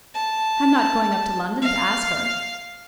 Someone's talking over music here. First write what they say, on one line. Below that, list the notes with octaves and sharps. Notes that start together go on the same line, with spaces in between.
I'm not going up to London to ask her.
A5
F5 F6